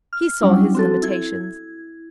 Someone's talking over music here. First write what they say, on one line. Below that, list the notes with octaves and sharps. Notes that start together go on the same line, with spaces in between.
He saw his limitations.
F6
F#3 G3 C#4 D4 E4
C4 F#4 A4
E4 G#6